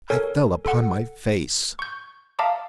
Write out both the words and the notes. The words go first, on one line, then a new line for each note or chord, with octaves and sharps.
I fell upon my face.
A4 A#4 C#5 G#5
A4 F#5
C#6 G6
E5 F5 A5 A#5 D6 D#6